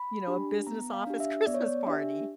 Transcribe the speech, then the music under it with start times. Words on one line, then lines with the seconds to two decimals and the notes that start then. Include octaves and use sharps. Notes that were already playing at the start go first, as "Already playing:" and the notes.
You know, a business office Christmas party.
Already playing: B5
0.27 D4 G4
0.67 B3 A#5
0.93 F5
1.07 D4 G4
1.20 E5
1.47 B3 D5
1.54 C#5
1.61 D5
1.87 D4 G4 E5